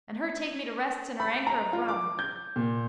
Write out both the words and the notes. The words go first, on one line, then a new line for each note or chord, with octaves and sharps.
And her take me to rests and her anker of rum.
B5
A#5
F4
D6
G6
A#2